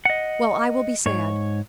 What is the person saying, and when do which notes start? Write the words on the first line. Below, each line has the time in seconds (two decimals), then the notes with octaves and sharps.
"Well, I will be sad."
0.05 D#5 F#5
1.06 G#2 C#5